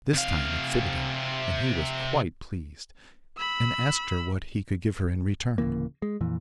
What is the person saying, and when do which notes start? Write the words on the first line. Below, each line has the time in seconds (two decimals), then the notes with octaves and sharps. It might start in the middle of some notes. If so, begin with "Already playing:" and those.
This time it fitted him, and he was quite pleased, and asked her what he could give her in return.
0.14 C3 F5
3.37 B5 E6
5.58 D1 C#3 E3 A#3
6.02 G#3
6.21 F2 A#2 E3